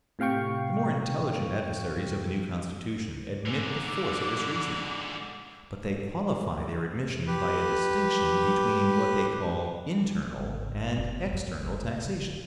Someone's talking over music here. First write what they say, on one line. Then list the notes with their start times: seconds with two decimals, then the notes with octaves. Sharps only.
The more intelligent adversaries of the new Constitution admit the force of this reasoning; but they qualify their admission by a distinction between what they call INTERNAL and EXTERNAL taxation.
0.19 A2 C3 F5 G5 C#6
3.46 G#2 D3 D6
7.27 G4 B4
10.38 G#1
10.97 F#1
11.33 F#2
11.66 F#1
11.86 B3
12.04 D3